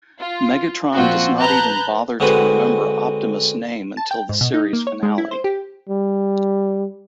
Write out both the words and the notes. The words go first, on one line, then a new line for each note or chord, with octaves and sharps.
Megatron does not even bother to remember Optimus' name until the series finale.
F4
A#2 F3 C4 F4 F#4
B4 A5 A#5 F#6 G6
D3 G#3 C4 F#4 B4
A5
G5
G#2
B2
D#4
A#3
C#5
G#3
E4
C5
G4
G3